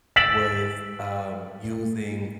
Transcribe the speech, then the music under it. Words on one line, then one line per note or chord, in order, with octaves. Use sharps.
was, um, using
E6 A6 B6 D7 E7 F#7